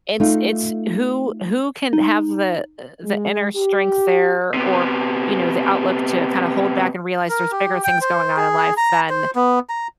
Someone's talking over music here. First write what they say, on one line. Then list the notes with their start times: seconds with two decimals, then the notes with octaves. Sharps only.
it's it's who who can have the, uh, the inner strength there or, you know, the outlook to kinda hold back and realize there's bigger things going on in life than
0.20 A3 D#4 F4
1.93 D#4
3.04 G#3
3.56 G4
4.54 C3 B3
7.29 A#4
7.52 G4
7.84 G5
8.01 C5
8.37 G#4
8.77 A#5
9.10 C5
9.36 B3
9.69 A#5